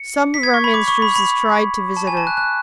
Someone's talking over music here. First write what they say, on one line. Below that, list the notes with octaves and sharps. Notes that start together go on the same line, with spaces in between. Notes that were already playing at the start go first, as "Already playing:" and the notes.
Some of our ministers has tried to visit her.
Already playing: C#7
B6
G#6
C#6
B5
D6
C#6
B5
B5
A5
G#5
A5
F#6
F#6